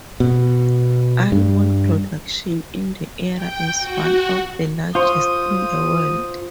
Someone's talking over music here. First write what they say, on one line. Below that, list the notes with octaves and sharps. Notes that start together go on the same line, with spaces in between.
Almond production in the area is one of the largest in the world.
B2
G2
G5
F#4
F4 C5 C6 C#6 D#6